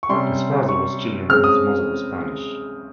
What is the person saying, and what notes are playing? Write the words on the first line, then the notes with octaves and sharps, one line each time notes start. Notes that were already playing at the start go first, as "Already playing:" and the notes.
His father was Chilean and his mother was Spanish.
C#6
C3 G3 C#4 C6
C#6
C#3 G#3 C4 F6
D#6